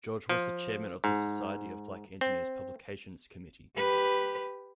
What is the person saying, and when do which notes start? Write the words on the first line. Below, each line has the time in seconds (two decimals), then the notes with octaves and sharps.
George was the Chairman of the Society of Black Engineers' Publications Committee.
0.29 F3
1.04 G#2
2.21 C4
3.77 G4 B4